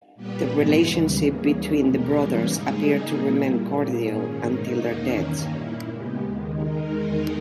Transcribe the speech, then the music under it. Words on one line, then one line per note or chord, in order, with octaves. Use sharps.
The relationship between the brothers appeared to remain cordial until their deaths.
A#2 G3 B3 G4 B4
G#2 E3 G#3 B3
D#2 C#3 G3
E3 A#3 C#4 G#4
D#2 D#3 G3 C#4
B2 G#3 B3 G4 A#4
G#2 E3 G3 A#3 C#4
C#3 G#3 D#4 G#4
G3 A#3 D#4 G#4
A#2 G3 A#3 E4
A#2 G3 A#3
A#2 A#3 C#4 G#4
G#2 D#3 G#3 C#4
B2 A#3 D#4
E2 D#3 A#3 C#4
G2 D#3 A#3 C#4
A#2 A#3 E4
C#3 G#3 B3 G4
D#2 D#3 G#3
D#3 G#3 D#4 A#4
E2 D#3 G#3 D#4 A#4